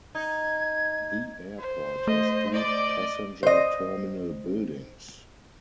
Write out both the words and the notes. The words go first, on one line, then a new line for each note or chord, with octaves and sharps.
The airport has two passenger terminal buildings.
D#4 G#6
C5
A3 D#5
D5 D#5
C5 D#5